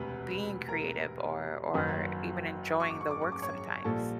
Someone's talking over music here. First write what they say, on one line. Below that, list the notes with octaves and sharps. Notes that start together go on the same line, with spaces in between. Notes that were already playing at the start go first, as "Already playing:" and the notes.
being creative or or even enjoying the work sometimes?
Already playing: E1 D2 C3 B4 B5
A#4 A#5
F#1 F#2 D#3 F#3 B4 B5
C#6
D6
C#6
D6
C#6
D6
C#5 C#6
A#1 A#2 G3 A4 A5